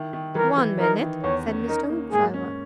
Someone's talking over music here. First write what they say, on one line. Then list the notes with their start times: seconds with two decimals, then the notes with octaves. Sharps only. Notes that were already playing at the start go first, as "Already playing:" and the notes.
"One minute!" said Mr. Hoopdriver.
Already playing: D#3 E4
0.13 D#3
0.35 E3 A#4
0.57 E3
0.80 D#4 A#4
1.01 D#3
1.23 E2 C#5
1.46 C#4
1.68 D#4 A#4
1.90 A#3
2.12 G#2 G#4
2.34 C#4